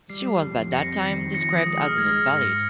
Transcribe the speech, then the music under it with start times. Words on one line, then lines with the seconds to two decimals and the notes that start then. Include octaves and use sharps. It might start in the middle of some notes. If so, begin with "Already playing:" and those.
She was by that time described as an invalid.
0.10 G3 C7
0.42 F2
0.72 C4 A#6 C#7
1.03 D#3
1.34 F3 A#6 C#7
1.50 D#6
1.66 G#3 D#6
1.82 F6
1.97 G#3 G#6
2.29 G#2 A#6